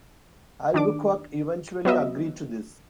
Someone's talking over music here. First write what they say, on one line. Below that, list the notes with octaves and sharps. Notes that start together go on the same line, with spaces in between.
Albuquerque eventually agreed to this.
D#3 D4 D6
F#3 B3 D#5 E5